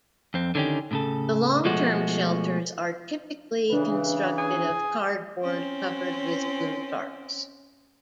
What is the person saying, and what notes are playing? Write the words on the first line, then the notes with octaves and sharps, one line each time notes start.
The long-term shelters are typically constructed of cardboard covered with blue tarps.
F2 C4
D3 D#3 C#4 D#4 G4
A2 C#3 A4
B2 F3 G#3 A3 F#4
C#3 E3 D4 B4
G#4
C4 C#4